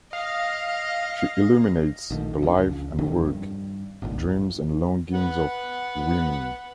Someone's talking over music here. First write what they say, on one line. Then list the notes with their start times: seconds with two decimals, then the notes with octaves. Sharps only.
She illuminates the life and work, dreams and longings of women.
0.13 D#5 F5
2.10 A#1 D#3 A3
2.43 F1 F3 D4
2.58 C#2
2.98 D#1 F2 D#3
3.25 G2
4.02 D1 G#1 D#2 A#2
5.14 B4 F#5